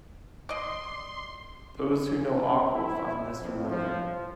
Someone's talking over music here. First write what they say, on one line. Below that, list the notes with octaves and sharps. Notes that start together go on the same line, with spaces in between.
Those who know awk will find this familiar.
D5 D#5 C6
E4
F2
F3